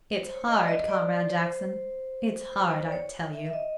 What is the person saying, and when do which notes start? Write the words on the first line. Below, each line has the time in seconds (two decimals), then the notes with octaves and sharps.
It's hard, Comrade Jackson, it's hard, I tell you.'
0.21 C5
0.34 C#5
0.48 D#5
0.58 D5
0.68 D#5
0.79 D#5
0.89 D5
1.29 C5
2.51 C5
2.86 D5
2.92 C#5
3.33 E5
3.47 E5
3.53 D#5